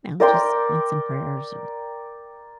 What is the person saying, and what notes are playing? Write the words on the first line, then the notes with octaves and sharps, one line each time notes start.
you know, just want some prayers or
A#4 D5 G5 C6